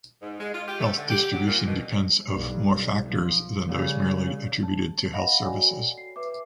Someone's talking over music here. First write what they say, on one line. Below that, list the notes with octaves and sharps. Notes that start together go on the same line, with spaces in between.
Health distribution depends of more factors than those merely attributed to health services.
G#2
G#3
F4
G4
A3
D3
G4
F#3
A#2
B2
B1 G2
F3
C#3 G3
A5
D#5 F5 F#5 B5 A#6
F#4 A4 C#5 D5 G5 G#5
C7
B4 E5 D6